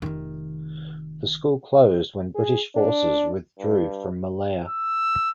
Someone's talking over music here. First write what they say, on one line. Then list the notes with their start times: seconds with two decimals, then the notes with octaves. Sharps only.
The school closed when British Forces withdrew from Malaya.
0.02 F1 D#3
2.35 G#4
2.75 D4
3.59 G2
4.69 E6